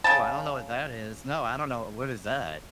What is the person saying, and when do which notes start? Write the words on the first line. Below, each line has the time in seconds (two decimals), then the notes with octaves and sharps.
Ooh, I don't know what that is, no, I don't know what is that?
0.04 C#3 G5 A5